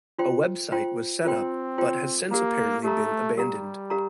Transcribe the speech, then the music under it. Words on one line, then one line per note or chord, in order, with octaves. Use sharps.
A website was set up but has since apparently been abandoned.
F4 C5 G5 C6
F4 C5 G5 C6
C4 F4 C5 G5 C6
F4 C5 G5 C6
A#3 G4 A#4 F5 A#5
A3 G4 A#4 F5 A#5
G3 G4 A#4 F5 A#5
G4 A#4 F5 A#5